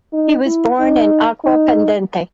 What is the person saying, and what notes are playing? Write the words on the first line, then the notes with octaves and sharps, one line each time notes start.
He was born in Acquapendente.
D#4
E4
D#4
D#4